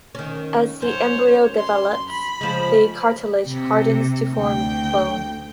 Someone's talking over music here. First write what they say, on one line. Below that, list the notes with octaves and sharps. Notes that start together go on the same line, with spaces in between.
As the embryo develops, the cartilage hardens to form bone.
D#3 C#4
F#2 C5 C#5
C6
B5
C#3 F3 G#3
C3
D2 G5